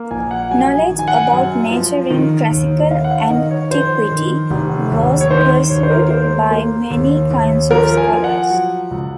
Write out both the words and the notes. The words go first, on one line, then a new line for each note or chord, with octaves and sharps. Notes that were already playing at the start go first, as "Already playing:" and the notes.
Knowledge about nature in Classical Antiquity was pursued by many kinds of scholars.
Already playing: A#3
A#1 G#5
F#5
F#3 G#5
G#5
D#3
G#5
F#5
G#5
F#2
F3
D#3
D#2
D#3 F5
F#5
F5
D#3 D#5
C#5
F2 C5
D#3
F1
D#2
C#5
D#3 C5
D#2 C#5
C5
A#4
A#3 C5
A#3
D#2
D#2
F3 A#4
G#5
F3
F#5
F#3
C#2